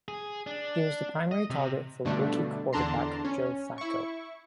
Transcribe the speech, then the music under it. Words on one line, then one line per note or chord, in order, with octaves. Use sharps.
He was the primary target for rookie quarterback Joe Flacco.
G#4
D4
D#5
C3
G2 B2 D3 A3 D4
E2 D3 D4 A5 A#5 C6
C#4
E4 C#6